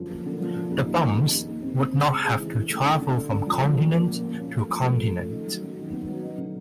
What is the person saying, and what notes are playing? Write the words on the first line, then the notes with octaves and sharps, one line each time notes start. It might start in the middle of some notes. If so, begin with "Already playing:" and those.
The bombs would not have to travel from continent to continent.
Already playing: F#2 D3 F3
A#3
D3
F3
D3
D#2
D#3
D#3
D#2
D#2
D#2
C4
C4
C#3
G#3
G#3
E3
D3
A3
D3
D3
D3
D3
F3
F3
A#3
A#3
A#2
A#2
C#4
A3
F3
A3
A3
C#4
D#3
F#3
F#3
D#3
B3
F#3
D#4
D3